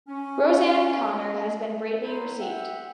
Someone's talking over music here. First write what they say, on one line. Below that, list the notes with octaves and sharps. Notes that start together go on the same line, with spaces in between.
Roseanne Conner has been greatly received.
C#4
F#3 E4 C5
E5 F#5 G5